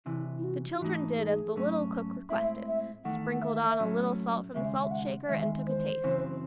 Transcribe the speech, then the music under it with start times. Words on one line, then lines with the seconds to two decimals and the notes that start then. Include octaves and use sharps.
The children did as the little cook requested, sprinkled on a little salt from the salt shaker, and took a taste.
0.06 C2 C3 E3 E4
0.38 E4
0.44 F#4
0.74 E4
0.80 G#2 E3 A3 D#4 F#4
1.17 G#4
1.55 G#2 F#3 A3 C#4
2.30 A2 G#3 C4 E4 E5
2.67 E5
3.05 E2 D#3 A3 F#5
3.32 F#5
3.42 E5
3.79 A2 F#3 A3 C#4
4.54 D#2 C#3 G#3 E5
4.83 E5
4.91 F#5
5.28 E2 D#3 G#3 E5
5.67 C5
6.04 F#2 C#3 E3 C4